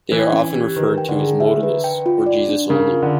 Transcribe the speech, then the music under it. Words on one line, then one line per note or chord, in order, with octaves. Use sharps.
They are often referred to as "Modalists" or "Jesus Only".
E3 E4
C#4
G4
D#3 B4
G5
D3
G#4
E5
B4
G5
F4
D5
D4
C#3 A#4
F4
D3